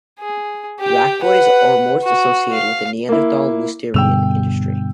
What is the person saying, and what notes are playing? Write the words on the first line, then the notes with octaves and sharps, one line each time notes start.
Racloirs are most associated with the Neanderthal Mousterian industry.
G#4
G4 G5
B4 F#5
F#4
F5
A#3 E4
G2 B2 D3 G5 E6 F7